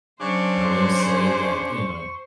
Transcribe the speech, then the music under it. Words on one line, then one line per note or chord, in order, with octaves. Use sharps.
I will say that, you know
C#3 F#3 D4 C5 C#6